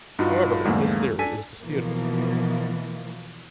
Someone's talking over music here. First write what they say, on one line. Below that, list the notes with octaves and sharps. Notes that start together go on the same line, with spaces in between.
However this theory is disputed.
G2 D#4 F4 F#4
E2 G#2 D3 G3 A3 A#3
D4 A4 G#5 B6 D#7
B2 E3 F3 A#3